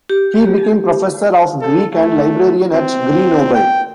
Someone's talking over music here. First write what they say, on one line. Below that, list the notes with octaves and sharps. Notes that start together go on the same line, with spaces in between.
He became professor of Greek and librarian at Grenoble.
G4
A4
A3
C4
G5